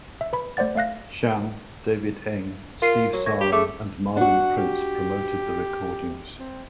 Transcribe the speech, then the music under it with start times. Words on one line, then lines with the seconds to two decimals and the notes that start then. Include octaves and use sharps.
Shan, David Eng, Steve Salem, and Marvin Prince promoted the recordings.
0.21 E5
0.33 B4 B5
0.57 A3 C5 D5 F#5 A6
0.75 A3 E5 F5 F#6 A#6
2.82 F4 A#4 C7 D#7
3.13 F#3 C#5
3.26 A3 C#6 G#6 A#6
3.40 G4
3.52 A3 G#4 D6
4.17 D4 F#4 F#5
4.57 G4
6.39 C4